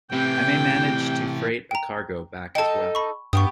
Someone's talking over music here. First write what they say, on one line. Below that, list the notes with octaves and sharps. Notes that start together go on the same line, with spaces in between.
I may manage to freight a cargo back as well.
A2 C3 E3 G5
G5 A#5
D#4 A4 G5 A5
B5 C#6
G2 B3 G4 C#6 D#6